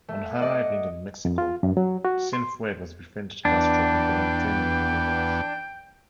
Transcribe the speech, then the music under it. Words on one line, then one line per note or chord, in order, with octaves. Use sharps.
On arriving in Mexico, Cienfuegos befriended Castro and began training with the rebels.
A3
D5 D#5 F#5
F2
F4
F#2
F#3
F#4
C6
E2 B3 D4 G5